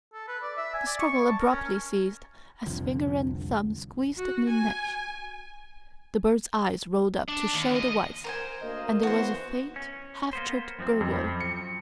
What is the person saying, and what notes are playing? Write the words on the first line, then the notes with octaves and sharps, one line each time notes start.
The struggle abruptly ceased as finger and thumb squeezed the neck; the bird's eyes rolled up to show the whites, and there was a faint, half-choked gurgle.
A4
B4
D5
E5
G#5
D5
C#6
C#6
A5
A#4
C#4
C2 F2 D3 F3
F#4
G#5
D4
D#2
D#5
A#4 C5 G#5
D2 A#3 D#5
E3 B3 F#4 C5
C#4
A#3 B3 C5
F#2 F3 C4
F2
C#7